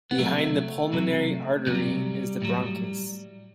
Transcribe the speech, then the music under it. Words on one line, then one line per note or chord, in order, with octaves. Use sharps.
Behind the pulmonary artery is the bronchus.
B3
C3 F#3 A3
C3 F#3
C3 F#3 G3
A2 F#3